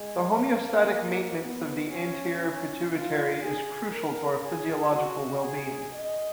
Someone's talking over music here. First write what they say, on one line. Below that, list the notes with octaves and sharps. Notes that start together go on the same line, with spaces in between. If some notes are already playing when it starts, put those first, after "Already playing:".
The homeostatic maintenance of the anterior pituitary is crucial to our physiological well being.
Already playing: G#3
A#3
B3
C#4
C#4
F4
G#4
A#4
G#4
F#4
G#4
D#5